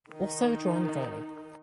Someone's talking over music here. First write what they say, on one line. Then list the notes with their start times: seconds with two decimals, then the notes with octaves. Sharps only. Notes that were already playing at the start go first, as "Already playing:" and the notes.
Also drawn daily.
0.11 D#3 D#4